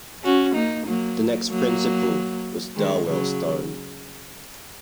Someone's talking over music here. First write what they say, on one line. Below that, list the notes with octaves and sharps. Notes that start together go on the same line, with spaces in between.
The next principal was Darwell Stone.
C#4 F#4
A#3 D#4
F#3 A#3
F#3 A#3
D#3 G#3
C#3 F#3